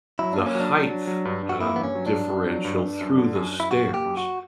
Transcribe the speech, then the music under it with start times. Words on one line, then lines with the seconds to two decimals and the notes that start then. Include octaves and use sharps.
the heighth, um, differential through the stairs,
0.19 F#3 E4
0.33 A#3 D4
0.46 C#4
0.55 F#3
0.60 D4
0.73 F#3
0.89 F#3
1.07 F#3
1.25 G2
1.43 G2
1.49 F#4
1.60 A#3 E4
1.76 G2 B3
1.83 C#4
1.95 F#3
2.06 D4
2.13 G2
2.30 G2
2.47 F#3
2.65 G2
2.82 G2
3.01 F#2
3.17 D3
3.35 F#2
3.53 F#2
3.60 E4
3.70 F#2 F#4
3.88 A#3
3.94 G4
4.06 F#2
4.17 F#4